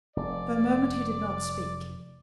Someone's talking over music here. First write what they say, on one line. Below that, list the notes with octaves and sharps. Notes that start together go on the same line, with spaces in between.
For a moment he did not speak.
F1 D5